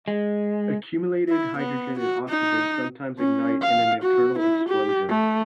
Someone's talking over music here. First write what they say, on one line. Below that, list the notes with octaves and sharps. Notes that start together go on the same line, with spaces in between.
Accumulated hydrogen and oxygen sometimes ignite in an internal explosion.
G#3
E4
B3
F#4
D#4
C#4
F5
F#4
E4
G4
A3